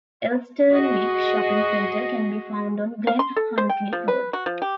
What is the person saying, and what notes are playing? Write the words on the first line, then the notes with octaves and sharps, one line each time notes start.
Elsternwick shopping centre can be found on Glen Huntly Road.
F#4 G#4 D#5
F5
C6
A4
C5
G5
F3
B4
F#4
F3
G4